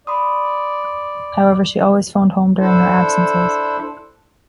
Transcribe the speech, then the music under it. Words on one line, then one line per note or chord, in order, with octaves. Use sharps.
However, she always phoned home during her absences.
D5 B5 C6 D#6
D4 E4 A4 C5